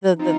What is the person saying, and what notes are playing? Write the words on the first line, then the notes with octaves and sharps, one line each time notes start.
the the
F3 C4 D#4 F4